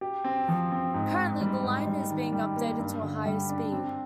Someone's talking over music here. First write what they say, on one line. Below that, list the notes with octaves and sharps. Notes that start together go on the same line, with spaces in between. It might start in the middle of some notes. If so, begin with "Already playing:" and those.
Currently the line is being updated to the higher speed.
G4
C4
F3
C4
G#2
G#2
G3
G#2
G3
D#3
G3
A#3
G2
D3
G3
D4
C4